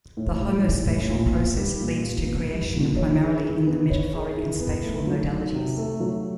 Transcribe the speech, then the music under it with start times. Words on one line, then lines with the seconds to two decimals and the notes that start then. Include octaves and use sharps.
The homospatial process leads to creation primarily in the metaphoric and spatial modalities.
0.17 A2
0.41 G3
0.63 E3
0.87 A2
1.10 A#2
1.34 B3
1.57 G3
1.80 A#2
2.04 A#2
2.27 B3
2.50 G3
2.74 A#2
2.96 C#5
3.20 G#4
3.44 E4
3.67 B3
3.90 C#5
4.14 G#4
4.37 E4
4.61 B3
4.84 A3
5.07 F#3
5.31 D#3
5.54 C3
5.78 A3
6.00 F#3